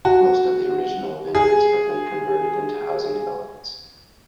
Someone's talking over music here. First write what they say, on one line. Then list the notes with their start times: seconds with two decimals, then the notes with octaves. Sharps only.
Most of the original vineyards have been converted into housing developments.
0.05 F#4
1.35 G#4